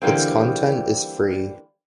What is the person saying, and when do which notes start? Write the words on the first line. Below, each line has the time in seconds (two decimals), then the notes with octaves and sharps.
Its content is free.
0.02 D3 E3 G3 A#3 C4